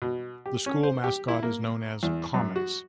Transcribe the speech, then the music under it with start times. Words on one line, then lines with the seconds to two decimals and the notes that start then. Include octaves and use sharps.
The school mascot is known as "Comets".
0.02 B2
0.46 G4
0.66 C#4
0.83 C5
1.04 G4
1.28 E4
1.43 A#3
2.03 E2
2.34 F#2
2.56 F#4